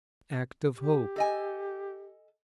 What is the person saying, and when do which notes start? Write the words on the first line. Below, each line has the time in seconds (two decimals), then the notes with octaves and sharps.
Act of Hope.
0.75 G4
1.16 A4 D#5 G#5